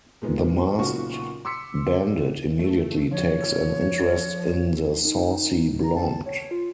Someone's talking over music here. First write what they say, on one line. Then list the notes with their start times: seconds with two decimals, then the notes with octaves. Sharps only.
The masked bandit immediately takes an interest in the saucy blonde.
0.22 A#2 G#3 B3 D#4
0.78 B1 A#2 C#3 F4 F#4 C#6
1.45 C6 D6 E6 B6 C#7
2.59 A3
3.11 F3 C#5
5.04 D#4
5.83 A#5
5.96 A5
6.26 C#5
6.51 F4